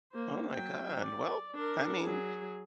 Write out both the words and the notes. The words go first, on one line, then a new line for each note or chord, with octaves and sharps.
Oh my God. Well, I mean,
A#3 C5
F#3 G5
D5
D4 A#4
F#3 G#4